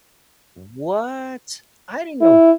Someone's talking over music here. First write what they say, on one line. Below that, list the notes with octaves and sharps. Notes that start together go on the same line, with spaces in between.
What! I didn't know
E4